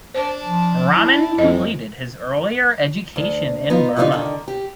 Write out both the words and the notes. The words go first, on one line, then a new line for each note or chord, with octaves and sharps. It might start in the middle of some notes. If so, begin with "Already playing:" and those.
Raman completed his earlier education in Burma.
D4 C5 A5
F3
E4
F2 G#3 D#5
D2
B3 D#4 F4
F3 G3 B3 C#4 D#4 F4
D3 D#3
G4